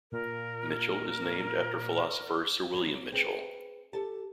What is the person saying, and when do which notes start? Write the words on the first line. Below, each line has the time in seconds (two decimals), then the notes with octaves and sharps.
Mitchell is named after philosopher Sir William Mitchell.
0.12 A#2 A#4
2.73 F#3 C#4
3.12 C4 G#4 B4
3.93 G4 A4 A5